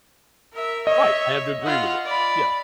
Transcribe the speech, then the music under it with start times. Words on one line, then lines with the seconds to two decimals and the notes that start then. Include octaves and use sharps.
Right, I have to agree with it. Yeah,
0.53 A#4 E5
0.87 C#5 D#5 E5
1.62 F4 F#5
2.05 D5 B5